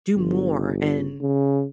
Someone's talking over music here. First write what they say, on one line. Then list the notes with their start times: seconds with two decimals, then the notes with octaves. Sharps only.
do more and
0.17 G1
1.21 C#3